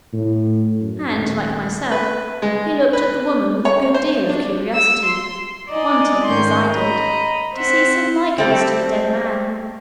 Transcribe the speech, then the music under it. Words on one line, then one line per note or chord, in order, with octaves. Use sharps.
And, like myself, he looked at the woman with a good deal of curiosity, wanting--as I did--to see some likeness to the dead man.
A2
F#2
D#1
B4
G#3
B4
C#5
C5
D4
E6
C6
D#4 D5 D#5 G#5
G#2 D#3 C#4 C6 G6
D#5 A#5 B5
C4 C5 E5 F#5
G3 A3 C4